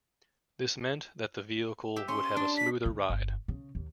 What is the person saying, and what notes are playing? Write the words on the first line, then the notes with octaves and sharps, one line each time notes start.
This meant that the vehicle would have a smoother ride.
G4 E5
C#4 C6
D4
B6
D3
G1
C#3
D#2